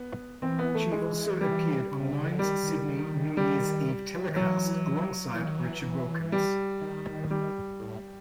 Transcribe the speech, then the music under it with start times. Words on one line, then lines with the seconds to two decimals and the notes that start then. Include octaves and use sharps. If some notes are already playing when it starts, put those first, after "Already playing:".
She also appeared on Nine's Sydney New Year's Eve telecast alongside Richard Wilkins.
Already playing: B3
0.42 E3 C4
0.59 B3
0.75 A3
0.92 G#3
1.41 G3
2.00 C3
2.13 C#3
2.26 D3
2.39 D#3 G3
2.63 D#3
2.88 D#3
3.37 G3
4.29 D#3
4.35 E3 F#3
5.34 E3
5.46 D#3
5.57 E3
6.32 G3
6.81 D#3
7.30 G3
7.80 A2